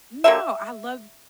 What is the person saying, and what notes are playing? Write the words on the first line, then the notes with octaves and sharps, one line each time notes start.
No, I love
D3 F#3 A#3 E5